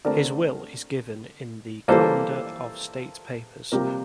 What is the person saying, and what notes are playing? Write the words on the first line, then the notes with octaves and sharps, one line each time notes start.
His will is given in the "Calendar of State Papers".
D3 A3 C4 A#4 D5
E3 G3 A#3 A4 C5
C3 G3 A#3 G4 A#4